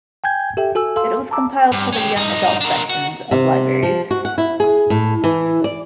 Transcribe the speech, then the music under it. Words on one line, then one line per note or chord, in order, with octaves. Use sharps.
It was compiled for the Young Adult sections of libraries.
G5 G#5 G6 G#6
G4 A4 E5 G5
F#4 A4 G#5 E6
A4 F5 C6 E6
A5 A#5 D6 E6
G2
C#4 G4
G2 D#4
D4 A#4
F#4
C3
F3
F#4
F#5
E4
G#4
A2
E3
D5